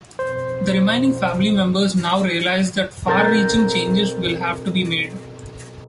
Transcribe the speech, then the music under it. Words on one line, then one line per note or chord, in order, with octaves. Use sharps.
The remaining family members now realise that far-reaching changes will have to be made.
B1 F2 C5
B1 C4 A#4 G6 A6